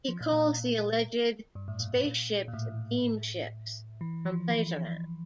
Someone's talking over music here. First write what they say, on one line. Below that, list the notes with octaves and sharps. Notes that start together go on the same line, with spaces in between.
He calls the alleged spaceships "beamships" from Plejaren.
F3
A#2
A#2
G2
A2
A#2
A2
A#2
A#2
A2
E3
F3
E3